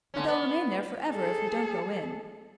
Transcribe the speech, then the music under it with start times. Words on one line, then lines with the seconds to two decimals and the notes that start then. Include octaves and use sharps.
But they'll remain there for ever if we don't go in.
0.14 D3 C#4
0.27 B3
1.11 G#4 A4